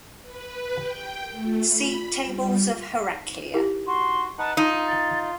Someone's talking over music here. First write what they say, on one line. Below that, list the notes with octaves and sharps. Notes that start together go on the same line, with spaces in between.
See Tables of Heraclea.
B4
G5
A3
B5
G3
E4 G4 A#4
F#4 C6
D#4 B4 F#5 A5
D#4 F4 D#7
A6